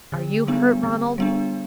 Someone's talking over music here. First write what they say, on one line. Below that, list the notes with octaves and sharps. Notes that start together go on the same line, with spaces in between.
Are you hurt, Ronald?
D3
G3 B3 D4
D3
G3 B3 D4